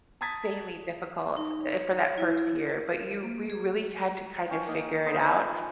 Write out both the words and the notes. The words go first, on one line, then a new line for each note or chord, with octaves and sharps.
sanely difficult, eh, for that first year, but you we really had to kinda figure it out,
A5 A#5 D#6 G#6 A6 B6
D#4
C#5
E4
A#4
A#4
A#3
G#4
C#4 G5
A#3 D#4
B3 D#4 C5
F4 G#5 B5 C6